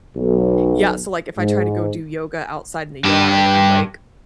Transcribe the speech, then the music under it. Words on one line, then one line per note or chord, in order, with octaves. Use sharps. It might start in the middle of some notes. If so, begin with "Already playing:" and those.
yeah, so like, if I try to go do yoga outside in the yard, I'm, like,
B1
G#2
G2 G4